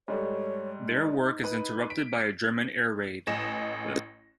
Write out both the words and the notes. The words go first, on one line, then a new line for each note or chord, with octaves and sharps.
Their work is interrupted by a German air raid.
G#2 G3 A3 C#5
D#4
B4 B5
B6 D7
A1 D#5 G#5 A#6 E7